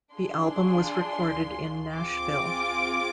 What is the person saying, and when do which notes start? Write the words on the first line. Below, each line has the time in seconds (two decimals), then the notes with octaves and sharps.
The album was recorded in Nashville.
0.13 D4 F4 G#4 C6
1.96 C4 F4 G#4 D6